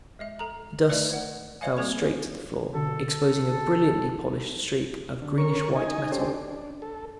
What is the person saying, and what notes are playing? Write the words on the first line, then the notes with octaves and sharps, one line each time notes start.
The dust fell straight to the floor, exposing a brilliantly polished streak of greenish-white metal.
G#3 D#5 E5
A4 A#5
A3 B4 D5 E5
C5 F#5
C5 D5 E5 F5 G#5
G3 A#3 C4 A4 C5 C#6
B2 D3 A4
D3
C#4 A#4 C#6
D#4 D#5 G#5
C#4 D4 G4 A4 C5
D4
A4